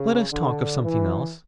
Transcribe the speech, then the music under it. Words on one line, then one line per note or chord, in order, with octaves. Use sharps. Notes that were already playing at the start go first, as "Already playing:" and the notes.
Let us talk of something else.'
Already playing: C#3
D3
E3